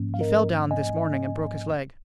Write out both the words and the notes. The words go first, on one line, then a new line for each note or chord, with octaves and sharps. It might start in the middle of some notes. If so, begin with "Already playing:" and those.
He fell down this morning and broke his leg.
Already playing: G#2 F3 A#3 C#4
F5
A#4 D#5
D#5 G#5